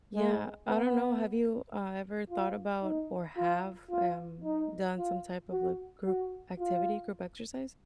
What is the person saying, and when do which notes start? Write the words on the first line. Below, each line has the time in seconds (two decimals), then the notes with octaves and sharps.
Yeah. I don't know. Have you, ah, ever thought about or have, um, done some type of, like, group activity, group exercise?
0.15 G#3
0.68 B3
2.30 F4
2.83 D#4
3.37 F4
3.91 F4
4.44 D#4
4.98 F4
5.51 F#4
6.06 F#4
6.59 F4